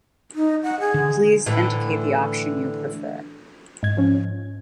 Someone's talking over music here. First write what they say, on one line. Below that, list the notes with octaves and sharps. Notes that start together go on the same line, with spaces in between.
Please indicate the option you prefer.
D#4
F#5
G#4
D3
A2 D3 E3
G#2 G#6
F3 C#4